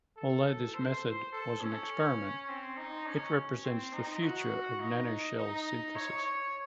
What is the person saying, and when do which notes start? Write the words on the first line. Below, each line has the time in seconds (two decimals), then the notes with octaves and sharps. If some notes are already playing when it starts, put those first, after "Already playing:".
Although this method was an experiment, it represents the future of nanoshells synthesis.
0.17 A4
0.74 C5
1.32 A4
1.61 C#4
2.49 C4
2.77 D#4
3.06 C#4
3.64 C4
3.93 D#4
4.22 F#4
4.80 D#4
5.38 D#4
5.96 C#5
6.25 C#5